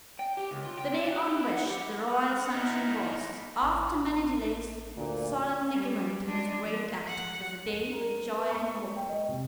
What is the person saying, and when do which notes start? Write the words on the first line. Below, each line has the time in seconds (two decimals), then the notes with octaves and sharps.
The day on which the royal sanction was, after many delays, solemnly given to this great Act, was a day of joy and hope.
0.19 G5
0.37 G4
0.51 C#2
0.65 F4
0.78 G5
0.92 D4
1.12 F#4
1.25 G4
1.39 E4
1.53 F#5
1.66 G4
2.02 F#5 F6
2.55 D#4 E4
3.62 A1
4.97 D2 A#2
5.72 G3
6.26 G#3 D4
6.63 F3
7.07 F#5
7.71 D#7
7.93 A#4
8.35 B3
8.51 C#6
8.71 G#3
8.96 G5
9.09 D#5
9.28 C3